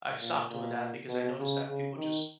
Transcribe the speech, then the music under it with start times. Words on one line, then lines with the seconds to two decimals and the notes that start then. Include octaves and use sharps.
I've stopped doing that because I noticed that people just
0.21 A#2
0.50 A#2
1.08 B2
1.39 C#3
1.68 C#3
1.97 D#3